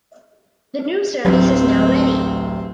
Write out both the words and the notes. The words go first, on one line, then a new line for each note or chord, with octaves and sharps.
The new circus is now ready.
D1 A1 F#3 C4 G4 B4